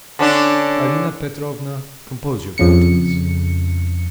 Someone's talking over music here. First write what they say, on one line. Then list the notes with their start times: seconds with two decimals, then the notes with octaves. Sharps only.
Arina Petrovna, compose your countenance.
0.19 D3 C#4 D4
2.58 F2 C#3 C#7